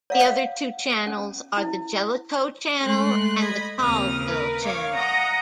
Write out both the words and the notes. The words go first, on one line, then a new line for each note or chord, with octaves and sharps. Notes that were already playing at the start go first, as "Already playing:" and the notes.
The other two channels are the Jellicoe Channel and the Colville Channel.
C#5 F5 F#5
C#4
E4
G#3 A3 C6 F#6
D#5 B5 G#6
D#2 C#3 C4 D#6 F6
A#4 B4
C#5 F5 C#6 D6
D#5 F#5 A#5 D#6